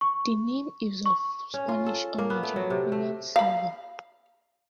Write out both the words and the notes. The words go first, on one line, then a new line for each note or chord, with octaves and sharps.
The name is of Spanish origin meaning "Silver".
C#6
C#6
C#4
F4
A4
A#3
B3
A3
F#3
C3
A3
F5 B5